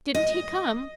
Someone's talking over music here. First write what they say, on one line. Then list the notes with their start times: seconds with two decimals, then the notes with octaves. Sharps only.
"Didn't he come?"
0.15 D#5